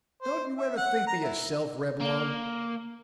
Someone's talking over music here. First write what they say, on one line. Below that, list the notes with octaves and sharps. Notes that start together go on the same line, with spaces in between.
Don't you ever think for yourself, Reblong?
C5
E5
F#5
A#5
E4
A#3